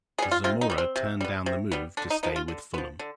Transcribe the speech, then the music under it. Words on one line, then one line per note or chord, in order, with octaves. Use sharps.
Zamora turned down the move to stay with Fulham.
G3 B3 G#4
F4
C3 F4
D#4
G3 B3
C4
C3
G3 B3
C3
G3 B3
D3 D4
D#4
F3 B3 D#4
F4
D3
F3 B3
D3